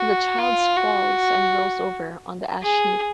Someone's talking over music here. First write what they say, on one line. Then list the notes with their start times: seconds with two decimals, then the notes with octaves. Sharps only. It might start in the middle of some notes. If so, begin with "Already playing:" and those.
The child squalls and rolls over on the ash-heap.
Already playing: F#4
0.39 F4
0.77 F#4
2.63 G#4